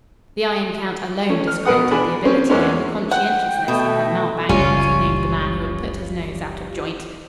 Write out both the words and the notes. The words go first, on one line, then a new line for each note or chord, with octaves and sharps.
The Iron Count alone discredited the ability and the conscientiousness of the "mountebank," as he named the man who had put his nose out of joint.
A3 C#4
F6
B2 A#4 B4 F#5 D#6
D4 G#4 B5
A#3 C4 C#4
E2 G#3 A#3 B3 C#4
F#5 G5
B2 A3
F#1 C#2 G3 C#4 F4